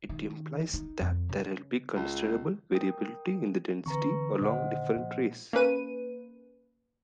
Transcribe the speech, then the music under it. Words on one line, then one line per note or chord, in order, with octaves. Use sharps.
It implies that there will be considerable variability in the density along different rays.
D#3
D#4
F2
C#3
C#2
A#4 G5 D#6
D3 E3 C4 B4 A#5 C#6
A#2 D3 D#3 C5 D#5 F#5
A#2 F3
A#3 C#4 B4 D#7